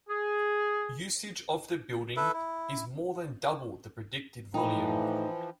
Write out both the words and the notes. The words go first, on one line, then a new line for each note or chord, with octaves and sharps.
Usage of the building is more than double the predicted volume.
G#4
E4 A4 B4 E5
E4
A2 E3 F3 D#4 G5 B5